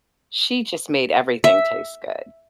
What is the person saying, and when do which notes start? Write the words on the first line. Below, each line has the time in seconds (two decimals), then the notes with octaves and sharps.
she just made everything taste good.
1.44 E5